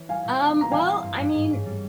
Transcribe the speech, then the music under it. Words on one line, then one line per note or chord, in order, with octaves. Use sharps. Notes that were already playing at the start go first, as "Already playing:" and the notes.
Um, well, I mean,
Already playing: E3 C#4
G3 F5 G#5
A#2
C4
C4 A#5
E3 F5 G#5
A#3
G2
G2
G#2
C#4
G3